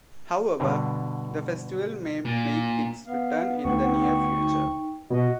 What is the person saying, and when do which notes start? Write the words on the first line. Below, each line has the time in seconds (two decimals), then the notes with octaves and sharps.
However, the festival may make its return in the near future.
0.60 G2 B2 D3
2.25 A#2
3.06 B3 F5
3.65 D2 D#4 G5 C#6
5.10 B2 F#4 D#5